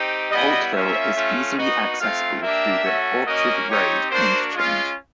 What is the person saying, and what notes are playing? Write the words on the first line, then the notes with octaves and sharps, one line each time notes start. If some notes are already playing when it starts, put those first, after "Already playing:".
Holtville is easily accessible through the Orchard Road interchange.
Already playing: C4 D#4 G4
G3 B3 E4 D#5
A#3 C#4 F4 E5
A3 C#4 F4
B3 D#4 F#4 D#5
A3 C4 F4 F5
A#3 D4 G4 E5
A3 C#4 F#4
A#3 C#4 F#4 D#5
C4 D#4 G4 C#5
A#3 D4 F#4 C5
G#3 C#4 F4